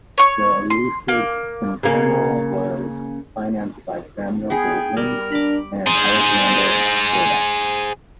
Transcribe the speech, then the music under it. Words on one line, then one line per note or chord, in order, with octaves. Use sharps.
"The Elusive Pimpernel" was financed by Samuel Goldwyn and Alexander Korda.
C#5 C#6
C6
A#3
C#3 A#3
B3 G#4 G5
G3 A#4
D4 B5 D6
G#4 C5